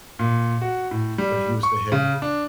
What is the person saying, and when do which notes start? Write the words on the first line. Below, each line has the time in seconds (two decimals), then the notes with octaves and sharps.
but he was the head
0.19 A#2
0.61 F#4
0.91 A2
1.18 G3
1.63 C#6
1.92 C#3
2.22 D4